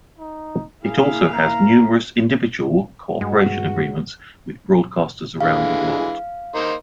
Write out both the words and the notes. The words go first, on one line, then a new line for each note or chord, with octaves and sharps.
It also has numerous individual cooperation agreements with broadcasters around the world.
D#4
A#3 E4 G#4 F5
A#5
G2 G#3 F#4
D3 E3 G#3 F5
A#3 D#4 C5